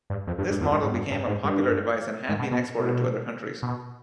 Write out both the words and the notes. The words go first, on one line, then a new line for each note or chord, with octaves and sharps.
This model became a popular device and had been exported to other countries.
G2
F2
G2
G2
F2
G2
G#2
G2
G2
G#2
G2
G#2
B2
B2
B2
B2